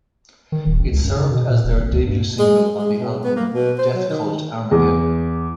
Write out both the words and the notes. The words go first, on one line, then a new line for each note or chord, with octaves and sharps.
It served as their debut single on the album "Death Cult Armageddon".
D#3
D#1
A1
C#2
F#2
C#3
B2
A#2
D#1
G#1
D2
G2
G#3
G#3
B2
B3
A#3
B2
C5
F#3
D#3
E2